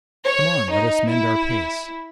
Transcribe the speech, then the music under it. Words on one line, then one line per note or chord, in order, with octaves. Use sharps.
Come on, let us mend our pace!
C#5
D#4
E4